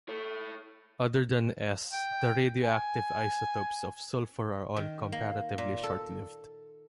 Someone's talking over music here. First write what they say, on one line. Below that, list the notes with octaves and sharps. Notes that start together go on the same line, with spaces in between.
Other than S, the radioactive isotopes of sulfur are all comparatively short-lived.
A4 C#5
G5
G#5
D#3
A#3
A#2
A4